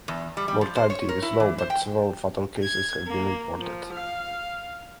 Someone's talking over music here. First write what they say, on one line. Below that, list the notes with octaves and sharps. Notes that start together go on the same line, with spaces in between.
Mortality is low, but several fatal cases have been reported.
E2
G3
G3
F3
C5
C#5
A#4
E4
E3
C5
G5
G#6
A#3
F3
F5